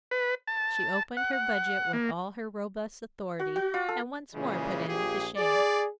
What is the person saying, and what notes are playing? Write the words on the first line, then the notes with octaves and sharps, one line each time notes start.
She opened her budget with all her robust authority, and once more put Annie to shame.
B4
A5
F#5
F#5
A#3
F#4
F#4
F4
A4
A#2 C#3 E3 G3 G#3
A#1 F4 G4 G#4
G#4 D5